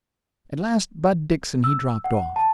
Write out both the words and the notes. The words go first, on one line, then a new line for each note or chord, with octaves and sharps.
At last Bud Dixon he dropped off.
E6
F#5
A5